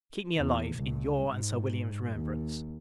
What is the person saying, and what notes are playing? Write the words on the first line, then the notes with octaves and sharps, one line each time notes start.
Keep me alive, in your and Sir William's remembrance.
E2
C#2
G#2
D#2